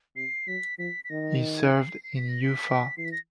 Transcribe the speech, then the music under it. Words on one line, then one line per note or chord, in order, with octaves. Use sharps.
He served in Ufa.
C3 C7
F#3 B6
F3 B6
B6
D#3 A#6
G#6
C7
C7
B6
A#6
B6
E3 C7
B6
A#6